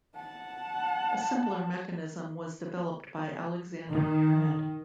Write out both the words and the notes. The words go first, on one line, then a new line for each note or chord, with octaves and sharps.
A simpler mechanism was developed by Alexander Muirhead.
F#5 A5
D#3